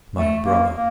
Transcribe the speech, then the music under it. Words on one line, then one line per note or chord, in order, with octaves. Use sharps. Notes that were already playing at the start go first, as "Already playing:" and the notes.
My brother!
A3
A#3
A#3